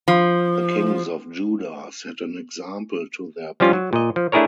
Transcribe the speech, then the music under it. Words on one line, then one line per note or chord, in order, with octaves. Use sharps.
The kings of Judah set an example to their people.
F3
F3 G3 C#4 F4
F#3
A#2 D#5
F3
A3 D4 E4 G#4 A#4 C#5